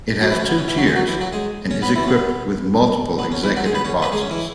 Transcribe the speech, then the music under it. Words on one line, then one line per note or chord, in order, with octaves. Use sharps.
It has two tiers and is equipped with multiple executive boxes.
F#3 F#4
E3 E4
C#4
B3
C#4
E3 E4
F#3 F#4
G#3 G#4
F#3 F#4
E3 E4
F#3 F#4
G#3 G#4
C#4 C#5
B3 B4
E3 E4
C#4
B3
B3
C#4
E3 E4
F#3 F#4
G#3 G#4
B3 B4
C#4 C#5
B3 B4
G#3 G#4
C#4
E3 E4